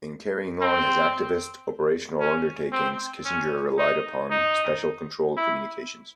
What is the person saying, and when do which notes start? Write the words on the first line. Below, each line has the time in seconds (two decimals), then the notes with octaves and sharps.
In carrying on his activist, operational undertakings, Kissinger relied upon special controlled communications.
0.61 C4
2.20 C#4
2.72 C4
3.25 C#4
3.78 D#4
4.30 D#4
5.37 E4